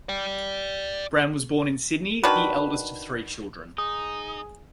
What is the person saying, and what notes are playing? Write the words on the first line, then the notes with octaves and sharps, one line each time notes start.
Brown was born in Sydney the eldest of three children.
D5 G5
D#3 D4 F#4 B4
D#4 G#4 D#6